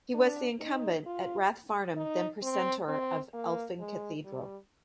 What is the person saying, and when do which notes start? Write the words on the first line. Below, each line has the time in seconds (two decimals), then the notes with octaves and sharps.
He was the incumbent at Rathfarnham then Precentor of Elphin Cathedral.
0.15 D4
0.61 D#4
1.06 F4
1.97 D#4
2.43 C4
2.88 C4
3.33 A#3
3.80 G#3
4.25 G3